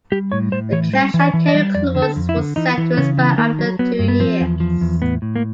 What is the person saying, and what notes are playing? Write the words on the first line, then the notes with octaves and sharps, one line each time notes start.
The cash-and-carry clause was set to expire after two years.
G3 G4
A2 C#5
A2 C5
E3 C#5
G3 C5
E3
D5
E3
D#5
G3
F2 D5
D3
A4
F2
E4
D3
E3 D#4
E3
C#3 C#4
E3
D#3 A#3
F#3
F#3 B3
G2
B3
F3 C4
E2
F3
E2
A2 B3
A2
A#3